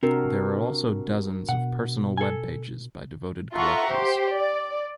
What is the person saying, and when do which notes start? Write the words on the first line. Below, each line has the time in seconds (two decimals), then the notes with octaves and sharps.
There are also dozens of personal web pages by devoted collectors.
0.03 C3 D4 F#4 A#4
1.49 B2 F#5
2.17 A4 G#5
3.54 F4 A4 E5 F#5 A#5 C#6
3.87 G4 C5
4.33 D5